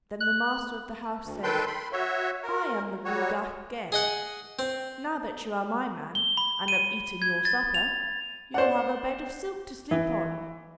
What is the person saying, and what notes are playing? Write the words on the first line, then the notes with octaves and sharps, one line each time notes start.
Then the master of the house said: "I am the Gruagach Gaire; now that you are my man and have eaten your supper, you'll have a bed of silk to sleep on."
F#6
D2
D#3 A4 B4 G5 C6 G6
B5 C6
F#4 C#5 E5
A#4
F#3 G3 F#4 C#5
G#4 D#5 F#5
C4
G7
B5
D#7
G#6
A6
F7
C5 D5 F#5
E3